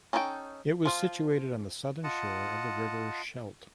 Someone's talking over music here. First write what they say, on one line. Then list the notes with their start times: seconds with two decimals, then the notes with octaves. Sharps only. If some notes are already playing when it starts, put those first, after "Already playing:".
It was situated on the southern shore of the river Scheldt.
0.13 C#4 D#4 A4 C5 G5
0.85 F3 F4
2.04 F4 D#5 F#5 A5